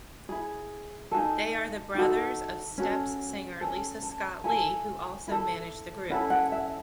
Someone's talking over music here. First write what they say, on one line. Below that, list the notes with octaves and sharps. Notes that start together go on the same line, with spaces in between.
They are the brothers of Steps singer Lisa Scott-Lee, who also managed the group.
E4 G#4
F#4 A4 G#5
D#4
D#4 F#4 A4
C#4 F#4 A4
C#4 F#4 A4 G#5
A5
E4 A4 G#5
E4 A4
C#4 E4 A4 F#5
F#5
E5